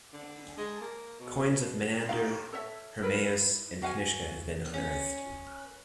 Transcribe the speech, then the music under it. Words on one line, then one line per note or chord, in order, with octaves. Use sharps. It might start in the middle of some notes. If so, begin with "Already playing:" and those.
Coins of Manander, Hermaeous and Kanishka have been unearthed.
D3
G#3
A#3
B2
D#4 G4 F5
A4 C#5 E5
E4 A#4 B4
F#4 F5 F#5 G#5
C#4